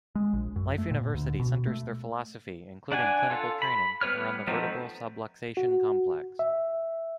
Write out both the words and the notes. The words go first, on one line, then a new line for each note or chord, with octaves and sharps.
Life University centers their philosophy, including clinical training, around the vertebral subluxation complex.
G#3
A#1
F#2
A3
A#2
D2
B2
A3
D4 F#5 G#5
F4 A4
B5
G3 B3 B4 C#5 F6
F3 A3 B3 C4 D#4
F#4
E5